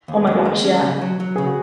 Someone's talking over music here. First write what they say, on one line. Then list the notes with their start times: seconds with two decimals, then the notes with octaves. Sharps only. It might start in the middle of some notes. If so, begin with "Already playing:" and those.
Oh my gosh. Yeah.
0.08 D#2
0.17 G#4
0.27 D#2 F#4
0.45 G#3
0.64 C#4
0.82 C#3
1.01 F#3
1.20 F#3
1.36 C#3 G#4
1.46 F#4